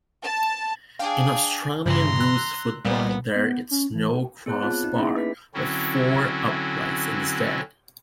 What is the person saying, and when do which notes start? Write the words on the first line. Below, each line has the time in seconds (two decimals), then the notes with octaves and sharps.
In Australian rules football, there is no crossbar but four uprights instead.
0.23 A5
0.99 D4 G#4 F5 G5
1.86 G2 C#3 E3 A#5 C6
2.20 E6 F#6
2.85 C2 A#2 G3 B3
3.35 B3
3.71 C#4
3.94 E3
4.46 B3 G#4 C#5 F#6
4.62 C4 F4 A5 F#6
4.84 D#4
4.96 A#3 B3 C#4 D#4 E4 G#4
5.16 B4 B6
5.54 D3 F#3 C4 C#4 E4 F#4